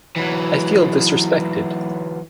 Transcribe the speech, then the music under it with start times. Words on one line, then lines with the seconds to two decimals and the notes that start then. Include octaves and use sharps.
I feel disrespected.
0.17 E3 F#3